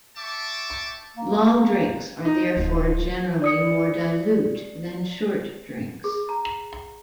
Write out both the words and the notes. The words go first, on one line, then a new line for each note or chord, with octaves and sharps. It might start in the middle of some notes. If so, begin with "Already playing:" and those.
Long drinks are therefore generally more dilute than short drinks.
E5 G5 A5 C#6 D6
A#3
D#4
D1 F3
D5 D#6 C#7
G#4
A#5